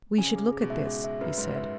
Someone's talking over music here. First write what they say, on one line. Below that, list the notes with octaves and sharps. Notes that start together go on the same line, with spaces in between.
"We should look at this!" he said.
C#3 G#5
G#4
G#4
B2
G#2 E5
G#4
E5
F#2 B4
G#2 B4
E5